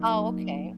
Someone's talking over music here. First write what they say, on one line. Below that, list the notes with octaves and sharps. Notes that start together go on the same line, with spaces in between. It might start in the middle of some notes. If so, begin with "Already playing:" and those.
Oh, okay.
Already playing: F#3 A#3 D#4